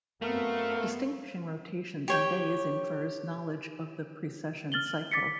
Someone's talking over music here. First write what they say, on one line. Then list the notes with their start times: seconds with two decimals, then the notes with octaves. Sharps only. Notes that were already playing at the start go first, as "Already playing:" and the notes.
Distinguishing rotations and days infers knowledge of the precession cycle.
0.22 F#2 A3 B3 C4 A#4 F5
2.08 G4 C#5 G5
4.72 F6 A6 F#7 G7
5.12 D6 A6 B6 C#7